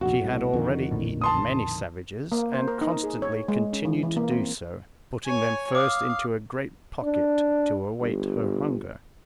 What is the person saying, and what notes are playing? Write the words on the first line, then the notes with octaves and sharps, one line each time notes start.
She had already eaten many savages and constantly continued to do so, putting them first into a great pocket to await her hunger.
F1 A#1 F#4
C2 A2
F2 D3 D#3
A#1 A2
A5 C6 D#6
A#3
C5
A#4
D#4
G#4
C#5
G#3
C#4
E3
E3
A#3
C4
C#5 G#5
F5 D6 D#6
D4
G1